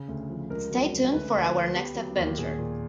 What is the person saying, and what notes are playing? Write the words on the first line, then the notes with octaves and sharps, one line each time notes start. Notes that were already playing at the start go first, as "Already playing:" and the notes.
Stay tuned for our next adventure.
Already playing: C#3
D2
F3
C#2 A#4
F#3
C#2
D2 B4
D2
B4
D2
B3 G4
F#3
D#2
A#2 G#4
A#2